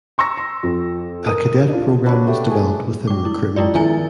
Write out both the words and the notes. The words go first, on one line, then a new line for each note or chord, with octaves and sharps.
A cadet program was developed within recruitment.
A#5 C#6 E6 A#6
C6
F2
A#4 D#6 D#7
D4 F4
D4 F#4 B4 C#5
A3 G4
G#4 G#5
G#3 D6
E4
G#3 E4 F4 D5
D#3 F3 B3 E4 G#5 A6